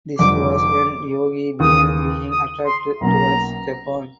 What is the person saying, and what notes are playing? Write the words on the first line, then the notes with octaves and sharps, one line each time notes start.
This was when Yogi began being attracted towards Japan.
F1 F2 D3 G3 D6
D6
D#2 C#3 E3 D#6
D#6
C6
B1 B2 F#3 A#3 C#4 A#5